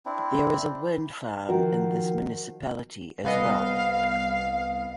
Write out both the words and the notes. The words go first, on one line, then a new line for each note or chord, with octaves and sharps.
There is a wind farm in this municipality as well.
C4 D4 E4
D#3 F3 F#4 A#4
C2 B3 D#5 F5